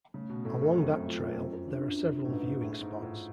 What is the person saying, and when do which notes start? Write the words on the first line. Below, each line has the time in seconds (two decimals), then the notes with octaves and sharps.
Along that trail, there are several viewing spots.
0.14 C#3 A3
0.29 B2
0.45 A2 A4
0.61 F#2
0.76 F2 F#3
1.07 F#2 F4
1.32 F2
1.37 F#2 F4
1.68 F#2 D4
1.99 F#2 D4
2.25 A2
2.30 G#2 B4
2.60 A2 G#4
2.81 G#2
2.91 F4
3.02 A2